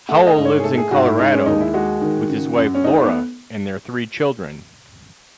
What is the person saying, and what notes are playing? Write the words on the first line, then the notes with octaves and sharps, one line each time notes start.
Howell lives in Colorado with his wife, Laura, and their three children.
A3 F#5
D#5
G#2
C#5
G#4
A3 A4
G#4
G#2 F#4
E4
G#3 D#4
C#4
D#2 D#4
E4
G#3 F#4
D#3
C#3
F#2
C#4
A3 D#4
B3